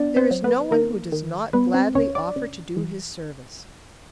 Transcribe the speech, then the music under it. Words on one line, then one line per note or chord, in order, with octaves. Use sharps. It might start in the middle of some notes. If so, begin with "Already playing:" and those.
There is no one who does not gladly offer to do his service.
Already playing: B3 D4 D5
C4 C5
F#3
B3 B4
D#3 A#3 A#4
D#3
G3 B3 B4
C4 C5
D2 C#4 C#5
D4 D5
C#3
E3